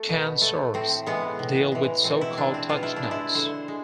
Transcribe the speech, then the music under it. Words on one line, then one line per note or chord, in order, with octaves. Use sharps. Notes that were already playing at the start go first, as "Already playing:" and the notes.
Kan-swars deal with so called "touch notes".
Already playing: A3
B2
A3
A2 C4
E3 G#3 B3
A2
E3 G#3
B2 C4
E4
G#3 D4
C4
B2 F4
E4
D4
G#3
E4
D3 C5
G#3